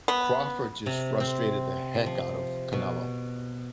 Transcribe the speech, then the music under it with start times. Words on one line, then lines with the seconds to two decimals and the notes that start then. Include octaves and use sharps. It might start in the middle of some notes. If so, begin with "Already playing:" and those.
Crawford just frustrated the heck out of Canelo.
0.08 B3
0.86 C3
1.20 C4
2.06 F3
2.73 B2